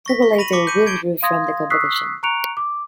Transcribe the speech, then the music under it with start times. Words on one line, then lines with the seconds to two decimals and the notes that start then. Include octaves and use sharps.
Togo later withdrew from the competition.
0.06 C#6 A#6 B6
0.22 C#6
0.38 B5 A#6 D#7 F#7
0.52 A5 C#6 D6 B6 C#7
0.67 G6 C#7 D#7
0.86 G#6 D7 G7
1.22 F5 C6 D#6 G#6 A#6
1.70 C#6 D#6 E6 F#6 B6 C7
2.23 A#5 C#6 F#6 C#7 D7 F7
2.57 D6